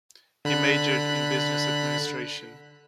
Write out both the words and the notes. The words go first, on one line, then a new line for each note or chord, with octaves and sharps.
He majored in business administration.
D3 B5 F#6